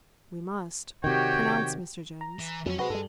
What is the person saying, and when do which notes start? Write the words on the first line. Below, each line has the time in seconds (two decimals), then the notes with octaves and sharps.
"We must," pronounced Mr. Jones.
1.04 C3 D#3 F#4 G4 C#5 G5
2.21 A#5
2.39 E3
2.66 F2 F#3 B3 C#4
2.79 C3 F#4 G#4 B4 D#5
2.90 G2 G3 A4